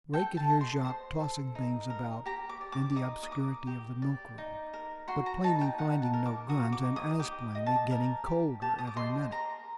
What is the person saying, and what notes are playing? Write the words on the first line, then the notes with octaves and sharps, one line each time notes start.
Ray could hear Jacques tossing things about in the obscurity of the milk-room, but plainly finding no guns, and as plainly getting colder every minute.
A4 G5
A5
D#5
C6
C5
A4
D#4
A#4
G4 A#5
D6
D5
D6
D#4 D#6
D#6
A#4 D6
G4
D5
D#4
A#4
F#4 C6
A#5
D#4 A5
G5
D#4 F#5
A5
A#4
D6
F#4 D#6
D6
D#4
D#6
G4 D6
D#5
A5
A#4
G4
G4 A5
D#6
D6
D#5 C6
A#4 A#5